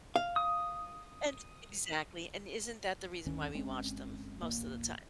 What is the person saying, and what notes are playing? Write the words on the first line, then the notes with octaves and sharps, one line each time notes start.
And exactly, and isn't that the reason why we watch them, most of the time?
F5
D#6
G1 D2 D#3 C#4
G1 G#3 C4 C#4
D#1 A1 A#3